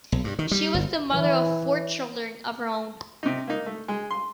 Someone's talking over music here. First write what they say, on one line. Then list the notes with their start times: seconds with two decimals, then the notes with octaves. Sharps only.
She was the mother of four children of her own.
0.12 B1
0.24 G2
0.39 D#3
0.51 G3
0.74 G1
1.10 E3
3.23 C3 D#4
3.47 A#3 D#4
3.66 A3
3.88 G#3
4.11 C6